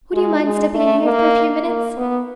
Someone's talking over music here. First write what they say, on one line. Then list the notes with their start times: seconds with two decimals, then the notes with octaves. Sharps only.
Would you mind stepping in here for a few minutes?
0.14 G#3
0.44 G#3
0.74 A3
1.05 A#3
1.66 A#3
1.97 B3